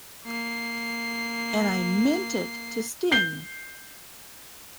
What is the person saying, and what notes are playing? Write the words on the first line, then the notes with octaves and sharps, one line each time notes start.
And I meant it to sting.
A#3 C7
G6 C7 G7